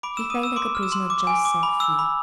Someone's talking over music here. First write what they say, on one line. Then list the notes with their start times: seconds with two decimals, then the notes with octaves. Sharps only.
He felt like a prisoner just set free.
0.03 B5 D6 D7
0.17 B5 E6 E7
0.30 D#6 D#7
0.39 B5 E6 E7
0.56 C6 D6 D7
0.75 F6
0.83 E6 E7
0.92 C6
1.10 D6
1.27 G#5
1.45 D6
1.63 B5
1.80 E6
1.99 B5